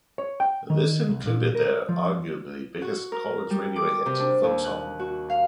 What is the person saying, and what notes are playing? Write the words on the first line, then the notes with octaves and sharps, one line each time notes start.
This included their arguably biggest college radio hit, "Folk Song".
C#5
G5
D#3
C2
A#2
A#4
F3
F#4
A#4
G3
D6
C3
D4
D#2
F#6
F#4
F5